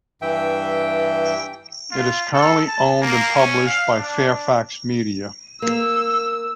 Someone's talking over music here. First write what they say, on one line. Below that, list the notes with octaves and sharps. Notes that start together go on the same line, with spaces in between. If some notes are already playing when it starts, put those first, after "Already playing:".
It is currently owned and published by Fairfax Media.
G2 E3 E5 G5
F4
A4
A5
A#3
C#4
F5
D4
A#3 E6